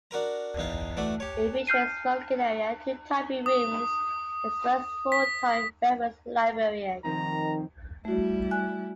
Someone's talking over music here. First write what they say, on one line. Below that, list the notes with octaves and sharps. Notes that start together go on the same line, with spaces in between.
It featured a smoking area, two typing rooms, and its first full-time reference librarian.
D4 F#4 A#4 A#5
E2 D#4 F5
E3 A3 F#4 D5
G4 C#5
F6 G6 C7 D#7
D#6
B6
D#3 F3 C4 D#4 A#5
G3 A3 E4 F#4
G#5 F#6